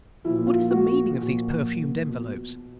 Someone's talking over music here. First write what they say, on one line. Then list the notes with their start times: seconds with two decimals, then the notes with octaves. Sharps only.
What is the meaning of these perfumed envelopes?
0.24 A#2 F3 E4
0.47 F4
0.71 F#4
1.16 A#2 F3
2.09 B2